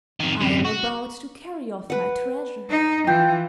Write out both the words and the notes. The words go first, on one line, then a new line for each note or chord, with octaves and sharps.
I am about to carry off my treasure.
F2 D#3
F#2 C3
F#4
B4 F#5
D#4
E3 F4 G5